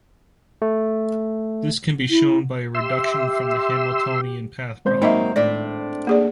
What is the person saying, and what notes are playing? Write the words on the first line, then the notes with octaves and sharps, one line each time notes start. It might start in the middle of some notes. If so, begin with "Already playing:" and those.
This can be shown by a reduction from the Hamiltonian path problem.
A3
E4
G4 E5 C6 E6
G#1 C5 G6
D#3 F#3 A#3 D#4 D#5 E5
A2 D4 D5 E5
A#3 G#4 D5